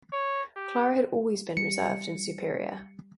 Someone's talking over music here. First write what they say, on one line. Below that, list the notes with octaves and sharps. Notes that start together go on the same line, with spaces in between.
Clara had always been reserved and superior.
C#5
G4
G3 C#7